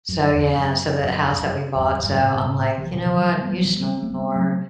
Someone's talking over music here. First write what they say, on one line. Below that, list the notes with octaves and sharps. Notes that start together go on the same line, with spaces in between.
So yeah, so the house that we bought so I'm like, "You know what? You snore,
F#2
E2
F#2
F#2
F#2
E2
F#2
E2 G2
E2 G2
F#2 A2
A2 C3
G2 B2
A2 C3
A2 C3
D#3
C3 E3
B2 D#3
C3 E3
D#3 F#3
E3 G3
G3 B3
G3 B3
E3 G3
G3 B3
C4
A3 C4
G3 B3
F#3 A3